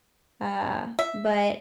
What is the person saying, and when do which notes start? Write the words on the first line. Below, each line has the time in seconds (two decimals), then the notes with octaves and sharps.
uh, but
0.99 E5